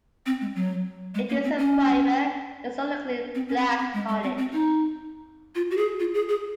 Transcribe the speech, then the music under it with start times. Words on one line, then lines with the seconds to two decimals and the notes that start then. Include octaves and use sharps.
It is a private, historically black college.
0.26 C4
0.41 G#3
0.55 F#3
1.15 G#3
1.29 A#3
1.44 C4
1.58 C#4
3.35 C4
3.48 C#4
3.57 C4
3.79 C4
3.94 G#3
4.08 G#3
4.24 C4
4.38 C4
4.53 D#4
5.55 F4
5.71 F#4
5.77 G#4
6.00 F4
6.14 G#4
6.29 G#4